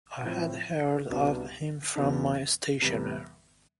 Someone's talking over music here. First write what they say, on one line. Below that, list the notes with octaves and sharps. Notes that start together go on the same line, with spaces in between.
I had heard of him from my stationer.
A2 F3 C4
C2 B2 B3 D4
E2 B2 B3 D4
E2 C3 G3 B3